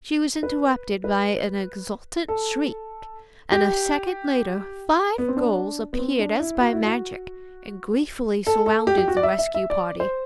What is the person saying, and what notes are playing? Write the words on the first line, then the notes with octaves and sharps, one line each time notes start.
She was interrupted by an exultant shriek, and a second later five girls appeared as by magic and gleefully surrounded the rescue party.
B4
B4
A4
G4
B3
C4
D4
B3
C4
D4
E4
F#4
E4
F#4
A4
A4
G4
G4
F#4
D5
E5
E5
E5
D5
C5